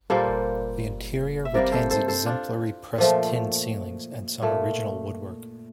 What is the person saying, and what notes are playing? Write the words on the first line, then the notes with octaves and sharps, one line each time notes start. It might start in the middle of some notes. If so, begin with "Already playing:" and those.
The interior retains exemplary pressed tin ceilings and some original woodwork.
A#2 G3 A#3 A4 C5
E5
C3 G3 A#3 A#4 D5
A4 C5
A4 C5
A4 C5
D4 F4
A#2 F3 A3
A#2 A3